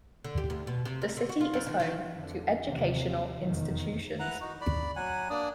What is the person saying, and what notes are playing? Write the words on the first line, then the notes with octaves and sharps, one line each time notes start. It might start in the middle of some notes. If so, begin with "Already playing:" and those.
The city is home to educational institutions.
D3
G4
D2
B2
C3
D2
D3
F#4
F4
F2
D#3
D#3
F2 D3
D#2 C3 E3
F1 E2 D#3
E4 B4 F#5 A#5
D#4 F#4
D5 B5
F#3 F#5 G#5
A#3 D4 D5 D#6